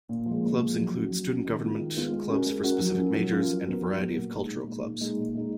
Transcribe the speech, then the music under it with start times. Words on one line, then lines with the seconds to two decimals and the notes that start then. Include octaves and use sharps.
Clubs include student government, clubs for specific majors, and a variety of cultural clubs.
0.09 A#2
0.26 F3
0.31 G#3
0.43 A#2
0.60 F3 G#3
0.78 F#3
0.94 C#4 F#4
1.11 F#3
1.29 C#4 F#4
1.44 D#3
1.63 G#3 B3 F4
1.79 D#3
1.96 G#3 B3 F4
2.12 G#3
2.29 C#4 F#4 A#4
2.46 G#3
2.63 C#4 F#4 A#4
2.80 F#3
2.98 C#4 F4 A#4
3.15 F#3
3.32 C#4 F4 A#4
3.48 F#3
3.65 B3 F#4 A#4
3.82 F#3
3.99 B3 F#4 A#4
4.16 A#2
4.33 G#3 D#4
4.50 A#2
4.67 G#3 D#4
4.84 A#2
5.01 G#3 D#4
5.18 A#2
5.35 G#3 D#4